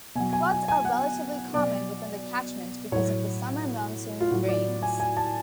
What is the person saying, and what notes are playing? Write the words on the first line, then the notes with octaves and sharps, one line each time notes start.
Floods are relatively common within the catchment because of the summer monsoon rains.
B2 F#3 G#5
G#5
G#5
G#5
F#5
B2 F#3 D5
A2 F#3 C#5
F4
A2 F#3 F#4
D5
G#5
G#5
A5